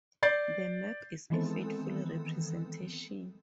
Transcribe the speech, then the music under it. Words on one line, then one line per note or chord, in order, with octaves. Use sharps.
The map is a faithful representation.
D5 G6 A6 C7
D#3 E3 G#3 B3 C4 A4